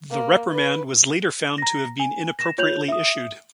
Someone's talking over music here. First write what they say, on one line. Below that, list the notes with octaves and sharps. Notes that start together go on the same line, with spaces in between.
The reprimand was later found to have been inappropriately issued.
A#3
B4
A#5 A#6
G#5
A#6 E7
F4 C#5 G6 F7 F#7
E5 D#6